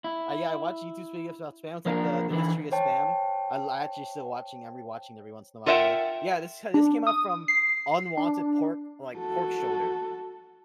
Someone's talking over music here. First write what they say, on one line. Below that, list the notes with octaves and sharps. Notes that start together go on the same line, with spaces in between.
Uh, yeah, I watched YouTube videos about Spam, it's like the the history of Spam. I'll actually still watching, I'm rewatching every once in a while, they're like, "Yeah, this h this came up from unwanted pork, like pork shoulder"
E4
F3 A#3 D4 A#4
D3 E3 B4
C5 C#5 G5 A5
F4 A4 A#4 E5 F#5 G5
D4
D#6
C7
D4
F#4 A4